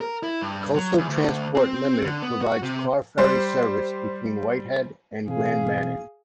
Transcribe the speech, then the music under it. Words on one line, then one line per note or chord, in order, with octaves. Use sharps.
Coastal Transport Limited provides car ferry service between White Head and Grand Manan.
A#4
E4
G2
F#3
E2
D2
C4
D3
B3
F#4
C3
G3 C5
B2 E3 C4 G#4 F5